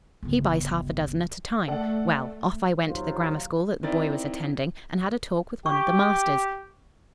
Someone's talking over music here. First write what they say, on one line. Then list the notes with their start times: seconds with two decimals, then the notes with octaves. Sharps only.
He buys half a dozen at a time.' Well, off I went to the grammar school that the boy was attending, and had a talk with one of the masters.
0.23 G1 C#2
1.68 A3 A4 D5 F#5
2.88 D#2 F#3 F4 C5
3.83 C4 D#4 E4 A#4 D5 A6
5.66 G4 C#6